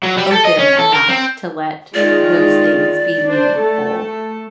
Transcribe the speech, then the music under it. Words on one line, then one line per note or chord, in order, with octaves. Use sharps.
open enough to let those things be meaningful,
F#3
G3
A4
D#5
C#4
A4
A#4
C4
D#3 G#3 F4 D5
D4 C5
A3 A4